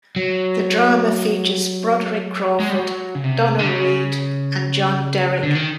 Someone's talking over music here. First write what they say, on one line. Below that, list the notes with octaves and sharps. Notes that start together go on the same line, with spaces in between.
The drama features Broderick Crawford, Donna Reed and John Derek.
F#3
G#3
G3
F#3
C#3
C3
D3
C#3
D3
D#3